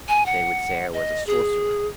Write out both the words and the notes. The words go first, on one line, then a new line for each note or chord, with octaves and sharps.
'They would say I was a sorcerer.
G#5
F#5
D#5
G#4